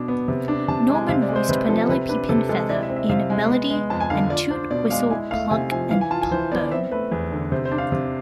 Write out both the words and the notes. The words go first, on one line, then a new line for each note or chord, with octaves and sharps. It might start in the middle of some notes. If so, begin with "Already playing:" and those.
Norman voiced Penelope Pinfeather in "Melody" and "Toot, Whistle, Plunk and Boom".
Already playing: B2 D4
B3
C3
D4
C3 A5
G#3
G#5
C3 F5
D5
G#3
C5
C3 B4
F3 A4
C3 B4
D4 B4
C3 A4
G#3 A4
E4 D5
E5
C4
E5
C3 F5
G#3 G#5
B3
G#3
F2 A5
G#5
D3 F5
F4 D5
D4 C5
B2 D5
G#3 F5
E4 G#5
A3 F5
C3 G#5
F3 G#5
E3 F5
G#5
F4 A5
G#5
E3 C5
B3 D5
C4 E5
A3 B4
E2
D3
C3 C5
C5
D4
F5
C3